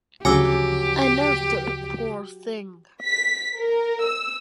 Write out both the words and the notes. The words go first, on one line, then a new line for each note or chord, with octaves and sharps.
I nursed her, poor thing!
D2 C#3 F3 F#3 G4 G#5 D6 E6
B6
A#4
E6